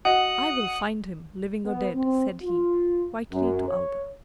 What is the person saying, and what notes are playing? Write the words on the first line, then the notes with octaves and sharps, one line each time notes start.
"I will find him, living or dead," said he quietly to Aouda.
F#4 D#5 F#5 D#6 C#7 F#7
B3
C4
F4
F#2
C#5